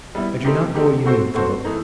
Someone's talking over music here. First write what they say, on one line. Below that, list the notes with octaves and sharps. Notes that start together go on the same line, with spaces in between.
"I do not know what you mean, Philip."
G3 B3 E4
A3 C4 D#4 G4
A3 C4 D#4 G4
A3 C4 F#4 A4 C5
A3 C4 F#4 A4 C5
E3 A3 D#4